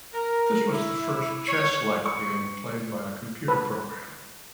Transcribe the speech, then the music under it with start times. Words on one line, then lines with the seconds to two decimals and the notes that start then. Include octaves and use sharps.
This was the first chess-like game played by a computer program.
0.14 A#4
0.71 E4
1.48 C#5
2.06 C#6
3.48 B4